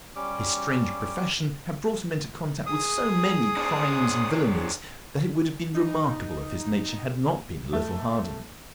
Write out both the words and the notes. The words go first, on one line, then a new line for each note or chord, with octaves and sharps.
His strange profession had brought him into contact with so many crimes and villanies that it would have been remarkable if his nature had not been a little hardened.
G3 C#4 D6
G#4 D#6
C4 D4
D#4
A3